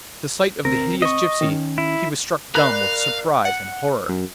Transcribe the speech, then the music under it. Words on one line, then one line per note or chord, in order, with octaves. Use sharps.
At the sight of the hideous gypsy he was struck dumb with surprise and horror.
D2 C4 A#4
D#5 C#6
D#3 C#4
E4
A#4 D5 F5 B5 F#6
F#5
F#2